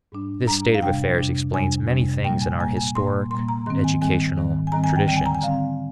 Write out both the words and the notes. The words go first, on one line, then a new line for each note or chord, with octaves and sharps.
This state of affairs explains many things in our historic educational traditions.
G#2 G3 D4
G#2 G3 D4 A#5
F5
F2 C3 G3 D4 G5
F2 C3 G3 D4
F2 C3 G3 D4 G#5
F2 C3 G3 D4
A#2 G3 A#3 G5
G#5
A#2 G3 A#3 G#5
G#5
A#2 G3 A#3 C6
A#2 G3 A#3 C6
A#5
G#2 D#3 G3 C4 C6
G#5
G#2 D#3 G3 C4 G#5
G#2 D#3 G3 C4
G#5
G#2 D#3 G3 C4 A#5
G#5
G5
D3 G3 C4 G5
G#5
A#5
G#5
D3 G3 C4 F5